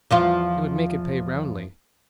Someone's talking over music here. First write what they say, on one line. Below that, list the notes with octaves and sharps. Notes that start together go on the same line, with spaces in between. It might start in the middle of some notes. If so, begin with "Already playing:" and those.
He would make it pay roundly.
E2 F3 F4